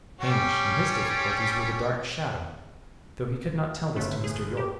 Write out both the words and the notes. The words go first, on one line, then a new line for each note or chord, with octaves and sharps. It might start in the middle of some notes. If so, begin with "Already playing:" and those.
Hamish and his difficulties were the dark shadow; though he could not tell this to Mr. Yorke.
G3 C#4 G4
G1 A3 E5
G#4
G4